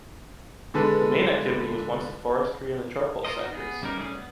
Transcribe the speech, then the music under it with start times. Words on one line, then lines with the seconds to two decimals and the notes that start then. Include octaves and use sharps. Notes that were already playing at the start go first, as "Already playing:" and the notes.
The main activity was once the forestry and the charcoal sectors.
0.74 D3 G#3 A4 B4
3.25 F4 A#4 C5 D#5
3.39 D#4 F#4
3.53 B3 G#4
3.82 C#3 G3 C#4 D#4 A#4
3.97 G3 A3 C#4 G#4
4.14 B3